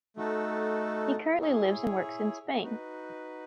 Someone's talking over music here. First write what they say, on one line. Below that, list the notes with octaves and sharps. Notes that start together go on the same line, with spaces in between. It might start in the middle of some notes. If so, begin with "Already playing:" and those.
He currently lives and works in Spain.
A3 D#4 F#4 A4
E4 G#4 C#5
D#4 F#4 B4